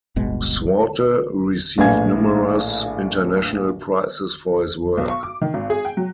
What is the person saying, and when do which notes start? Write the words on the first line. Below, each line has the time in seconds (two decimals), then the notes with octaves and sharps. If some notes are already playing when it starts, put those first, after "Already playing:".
Swarte received numerous international prizes for his work.
0.16 D1 G1 B2 G#3
1.78 A#1 A2 B4 F5 G#5 G#6
4.97 B1
5.09 C#6
5.23 D6
5.41 D#3
5.54 G#1
5.70 G#4
5.85 G5
5.97 F#3